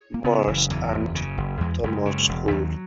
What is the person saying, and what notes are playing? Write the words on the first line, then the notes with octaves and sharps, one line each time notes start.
Morse, and Thomas Cole.
A#3
C#3 B3
F#1 E3
E2 E3
F#1
C#3
F#1
E2 G#3
F#1 G#3
C#3
E1
D#2 F#3